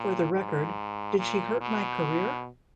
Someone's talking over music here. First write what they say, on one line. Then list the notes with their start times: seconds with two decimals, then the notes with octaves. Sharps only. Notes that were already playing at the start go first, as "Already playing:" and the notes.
For the record, did she hurt my career?
Already playing: A#2
0.34 G#2
1.19 A#2
1.60 B2